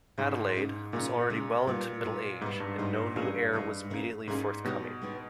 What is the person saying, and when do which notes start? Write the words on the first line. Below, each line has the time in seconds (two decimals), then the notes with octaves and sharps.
Adelaide was already well into middle age and no new heir was immediately forthcoming.
0.18 G#2 C#3 G#3 D#4
0.55 G#2 C#3 G#3 D#4
0.92 A#2 C#3 G#3 D#4
1.30 C#3 G#3 D#4
1.67 A#2 G3 B3 D#4
2.04 G3 B3 D#4
2.41 G#2 G3 B3 D#4
2.60 G2
2.78 G#2 G3 B3 D#4
3.16 G2 E3 A#3 C#4 G#4 D#5
3.52 G2 E3 A#3 C#4 G#4 D#5
3.90 E3 A#3 C#4 G#4 D#5
4.28 G#2 E3 A#3 C#4 G#4 D#5
4.64 B2 G#3 B3 D#4 G4 C#5
5.02 G#3 B3 D#4 G4 C#5